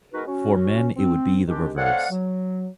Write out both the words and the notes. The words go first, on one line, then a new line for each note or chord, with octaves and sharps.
For men, it would be the reverse.
G#3 B3 D#4 F#4 A#4 B4
C#4 F#4
C4
D#3 G#3 C4 D4 G4
A3 C4 C#5 D5 F5 F#5
F#3